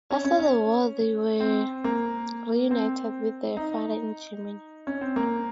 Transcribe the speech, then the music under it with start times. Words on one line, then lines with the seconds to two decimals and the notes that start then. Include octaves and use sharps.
After the war they were reunited with their father in Germany.
0.11 C#4
0.24 C#4
0.40 C#4
1.40 C4
1.84 A#3
2.71 C4
3.57 D#4
4.87 C#4
5.01 C4
5.16 A#3